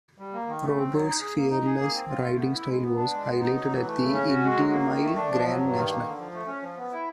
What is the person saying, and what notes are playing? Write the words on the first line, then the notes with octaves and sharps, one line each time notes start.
Roberts' fearless riding style was highlighted at the Indy Mile Grand National.
G3
A#3
D#3
A3
C4
F#3
D#4
G#4
A#3
D#4
G#4
A#3
C4
F4
A3
B3
E4
G#3
B3
D4
G#3
B3
D#4
F#3
E3
A3
C#3
C#4
F#4
G#3
F#3
A#3
D#3
A3
D4
F3
F#3
G2
D#3
A#3
D3
F3
A3
C#4
F3
B3
E4